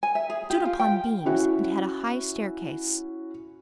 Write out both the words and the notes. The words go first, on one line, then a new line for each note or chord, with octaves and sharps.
It stood upon beams, and had a high staircase.
G#5
E5
G#4
G4
F4
G5
C#4 E4 F#4